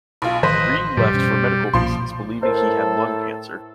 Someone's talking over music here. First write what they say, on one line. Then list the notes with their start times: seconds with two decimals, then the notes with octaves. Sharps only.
Reid left for medical reasons, believing he had lung cancer.
0.22 B1 F4
0.43 A1 D#3 F3 B4 C5 D#5
0.97 A2 C3 F3 G3
1.11 F#2 B2 C#4
1.73 B1 A#2 F3 C6
2.43 A2 A4 A#4 C5